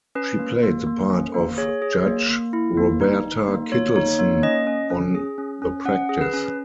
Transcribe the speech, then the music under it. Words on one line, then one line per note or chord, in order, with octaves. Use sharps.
She played the part of Judge Roberta Kittleson on "The Practice".
C#4 B4
A#3
A#3
A#3
C#4
A#3
G#4 C#5
G#4
A#3
A#3
E4
A#3
D#4
D#4
A#3
A#3 C#5
D#4 C#5
A#3 C#5
C#4 D#5
C#4
C#4
G#4
C#4
C#4
C#4 F#5
G#4
B4
C#4